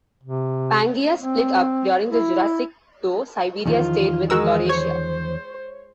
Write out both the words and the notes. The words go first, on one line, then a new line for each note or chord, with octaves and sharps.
Pangaea split up during the Jurassic though Siberia stayed with Laurasia.
C3
C4
E4
E2 D#3 F3 F4
G#3 F#4 A#4 E6
C5 C#5